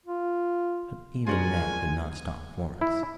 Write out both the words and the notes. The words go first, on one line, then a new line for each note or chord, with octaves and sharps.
But even that could not stop Florence.
F4
F3 G#3 D4 F4 F#4 A#4 G#5
E4